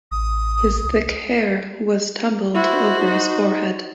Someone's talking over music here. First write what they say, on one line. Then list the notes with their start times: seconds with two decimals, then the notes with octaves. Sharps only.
His thick hair was tumbled over his forehead.
0.11 A1 D#6
0.84 C2
2.54 E4 F#4 C5
3.00 D#4